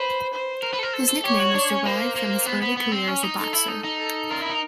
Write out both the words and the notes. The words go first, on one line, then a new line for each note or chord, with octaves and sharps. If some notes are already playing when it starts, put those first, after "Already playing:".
His nickname was derived from his early career as a boxer.
Already playing: B4 C5
C5
A#4
B4
A4
A#4
A4
A4
G4 C#5
F#4
D4
C#4
A#3 C5
A#3
B3
B3
B3
C4
C#4
D#4
D#4 A4
E4
D#4
D#4
A4
F4 A#4
E4
D#4